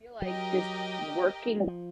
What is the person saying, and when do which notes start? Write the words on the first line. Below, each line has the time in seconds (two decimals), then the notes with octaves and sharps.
I feel like just working
0.22 F#3 G4 A#4 D#5 G5
1.67 F3